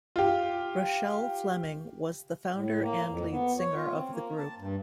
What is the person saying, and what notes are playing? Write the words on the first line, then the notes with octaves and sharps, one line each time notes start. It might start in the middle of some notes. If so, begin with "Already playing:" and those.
Rochelle Fleming was the founder and lead singer of the group.
F4 G4
A2
A#3
F2
B3
C#5
F4
C4
A#3
A5
G2